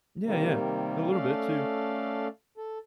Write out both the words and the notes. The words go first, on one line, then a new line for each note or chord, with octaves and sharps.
Yeah, yeah. A little bit too.
C3 D#3 G3 A#3
A3 C#4 A4 D5 F5
A4